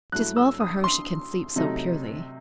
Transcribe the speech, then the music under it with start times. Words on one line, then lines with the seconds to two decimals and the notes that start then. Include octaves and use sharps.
'Tis well for her she can sleep so purely.
0.12 G2 F#3 A3 E4 F#6
0.36 E6
0.60 D#6
0.84 C6
1.56 C3 F#3 A3 D#4